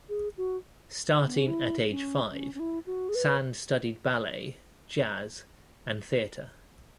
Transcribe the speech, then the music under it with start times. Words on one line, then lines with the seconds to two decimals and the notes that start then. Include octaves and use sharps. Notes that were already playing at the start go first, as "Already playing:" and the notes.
Starting at age five, Sand studied ballet, jazz and theatre.
0.09 G#4
0.38 F#4
1.24 B3
1.36 C#4
1.48 E4
1.89 C#4
2.32 C#4
2.54 C#4
2.60 E4
2.87 F#4
3.09 G#4
3.15 B4